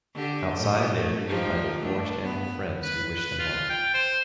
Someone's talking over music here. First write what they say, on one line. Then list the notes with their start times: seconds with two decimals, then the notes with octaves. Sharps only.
Outside they are greeted by their forest animal friends who wish them luck.
0.14 D3 G4
0.57 A2 G4
0.98 A3
1.28 F3 D#4 G4
1.79 A3 D4
2.23 B3
2.82 B4
3.16 B4
3.39 F4
3.69 G5
3.94 C5